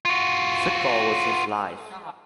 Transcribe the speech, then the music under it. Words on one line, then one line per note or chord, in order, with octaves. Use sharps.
Football was his life.
F4 F#4